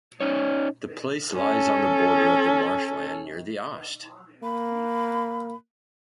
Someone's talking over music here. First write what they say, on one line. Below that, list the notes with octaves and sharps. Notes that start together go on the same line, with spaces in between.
The place lies on the border of the marshland near the Oste.
C#4 D#4 C#5
C#4 A4
A#3 B5